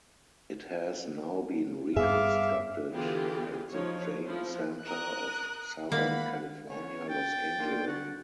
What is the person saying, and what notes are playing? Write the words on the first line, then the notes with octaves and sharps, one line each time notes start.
It has now been reconstructed at the Jain Center of Southern California, Los Angeles.
G2 B3 G#4 E5 F5 D6
D3 E3 B3 F4 G4 G#4
F3 D#4 C#5
F3 E4
A#4 D#6 F#6
D#3 G#3 A#3 F#5 B5
B3 C#4 C#5
G5 A6
A#3 D4 F4
C2 D3 F#4 F#5